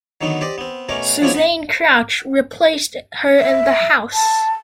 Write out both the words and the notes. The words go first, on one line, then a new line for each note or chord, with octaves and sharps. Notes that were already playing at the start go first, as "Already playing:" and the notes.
Suzanne Crouch replaced her in the House.
D3 D#3 F#3 B3 D#4
G4 C5 D5 D#5
B3 C4
B2 A3 C#4 A#4 D6
F3 F#3 G#3 C#4 D4 E4
B3 B5
E5
A5